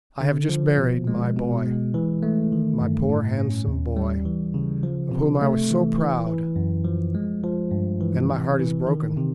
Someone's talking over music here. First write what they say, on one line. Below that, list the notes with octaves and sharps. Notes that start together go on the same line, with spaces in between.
'I have just buried my boy, my poor handsome boy of whom I was so proud, and my heart is broken.
D3
F3
B2
G#3
B2
G#3
E3
A3
D#3
G2
A2
C#4
D#2
G3
E3
C#3
F3
C3
A3
E3
E3
E3
F#2
F3
G#3
F3
G2
E3
C3
E3
D#3
C3